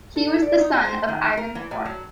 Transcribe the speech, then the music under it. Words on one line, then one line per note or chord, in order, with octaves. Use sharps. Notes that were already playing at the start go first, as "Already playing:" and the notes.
He was the son of Ivan IV.
A4
D5
D#4
F4
C5
D#3
A#4
E3
A2
F#3